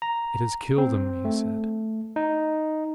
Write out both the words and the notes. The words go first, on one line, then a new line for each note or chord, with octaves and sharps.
"It has killed him!" he said.
A#5
C4
A3
D#4